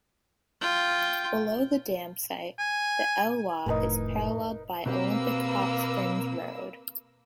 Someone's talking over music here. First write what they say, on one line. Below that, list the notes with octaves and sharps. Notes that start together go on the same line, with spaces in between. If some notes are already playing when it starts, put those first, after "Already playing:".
Below the dam site, the Elwha is paralleled by Olympic Hot Springs Road.
F4 G5
G#5
F1 A2 D#4 A#4 B4
B2 A#3 C4 G4 B4 E6